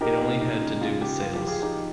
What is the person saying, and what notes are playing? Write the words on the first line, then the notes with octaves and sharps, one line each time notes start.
It only had to do with sales.
D#4 G4 A#4
A#2
D#4
C#3
C#3 F4 G#4
C#3 G4
F3 F4
G4
F3
F4 G#4
D#4 G4